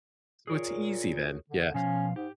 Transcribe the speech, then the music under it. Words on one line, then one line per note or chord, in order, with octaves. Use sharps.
so it's easy then. Yeah.
A#2 G#4 A#4 C#5
D3
B2 F3 C#4 F5
G#2 G4